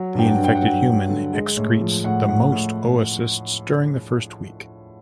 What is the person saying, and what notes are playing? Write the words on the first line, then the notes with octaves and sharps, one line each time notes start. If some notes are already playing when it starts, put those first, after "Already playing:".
The infected human excretes the most oocysts during the first week.
Already playing: F#3
G2 G5
F#5
G2
G5
F#5
F#3 G5
G2
D3
G#3
A2
F3
A2 F#5
A2 F#5
A2